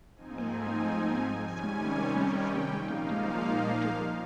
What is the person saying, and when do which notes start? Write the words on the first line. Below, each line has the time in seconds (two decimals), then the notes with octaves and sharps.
There are many other small businesses located in Gulen today.
0.15 G#2 F3 C4 D#4 G#5
1.46 C3 D#3 G3 C#4 G#5
2.11 G5
2.76 A#2 F3 A#3 D#4 F5